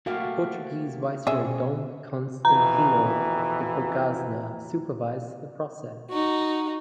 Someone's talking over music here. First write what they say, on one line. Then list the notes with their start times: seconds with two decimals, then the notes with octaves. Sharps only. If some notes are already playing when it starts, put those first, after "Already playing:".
The Portuguese viceroy Dom Constantino de Braganza supervised the process.
0.06 A3 A#3 F#4 G4 F5
1.27 B2 C4 C#4 G#4 E5
2.45 F2 B2 E3 A#5
6.10 D#4 F#4